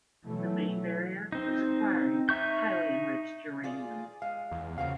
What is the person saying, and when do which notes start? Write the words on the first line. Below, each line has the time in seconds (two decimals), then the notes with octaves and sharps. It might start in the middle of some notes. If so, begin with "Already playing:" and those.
The main barrier is acquiring highly enriched uranium.
0.25 B2 E3 F#3 A3
1.32 C4 D#4
2.29 D#4 E5 C#6 G6
3.64 F4 G#4 D5
4.22 G#3 F5
4.51 E2
4.78 C#3 F3 A#3 F#4 F5